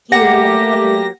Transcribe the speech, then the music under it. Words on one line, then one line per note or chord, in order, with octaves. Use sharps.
here while the other
A3 A#3 G4 F#5 A#6